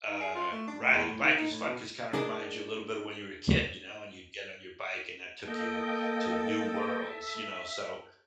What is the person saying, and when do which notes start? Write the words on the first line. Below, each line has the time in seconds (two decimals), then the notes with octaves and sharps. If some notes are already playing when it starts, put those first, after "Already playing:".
uh, riding a bike is fun 'cause it kind of reminds you a little bit of when you were a kid, you know, and you'd get on your bike and that took you to new worlds, you know, so
0.09 D#4
0.20 G#4
0.35 F4
0.51 A3
0.67 D4
0.79 A2
0.92 E2
1.07 A2
1.21 D#3
1.37 D#4
1.50 A2
1.65 B2
2.13 D4 G#4 A#4 D#5
5.48 A#3 A4 D#5 G5
7.09 E5